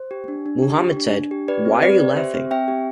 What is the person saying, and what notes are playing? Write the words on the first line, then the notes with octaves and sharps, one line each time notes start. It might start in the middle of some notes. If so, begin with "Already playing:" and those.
Muhammad said: Why are you laughing?
Already playing: C5
G4
D4
D4
G4
G4
D4
D4
G4
G4 B4 D5
C4
C4 B4 D5
G4
G4 C5 E5
C4
C4 E5 G5
G4